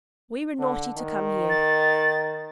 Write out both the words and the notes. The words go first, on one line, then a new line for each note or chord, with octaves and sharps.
We were naughty to come here.
D3
D#3
A6